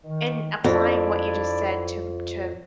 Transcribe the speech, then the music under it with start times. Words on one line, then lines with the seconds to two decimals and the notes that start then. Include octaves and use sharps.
In applying what you just said to m to,
0.04 D#3
0.65 F2 D4 E4 D5